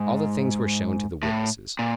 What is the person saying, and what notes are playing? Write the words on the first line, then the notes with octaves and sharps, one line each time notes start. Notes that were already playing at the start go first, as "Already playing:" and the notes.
All the things were shown to the witnesses.
Already playing: G#2
A2
A#2